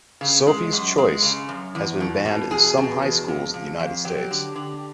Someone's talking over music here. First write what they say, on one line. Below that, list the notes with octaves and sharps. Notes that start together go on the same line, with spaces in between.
"Sophie's Choice" has been banned in some high schools in the United States.
C#3
G#3
F#2
G#3
C#3
F#2
E2
B2
B2
E2 G#4
B2
E2
F2
F2
F2
F#3 G4
D3
D3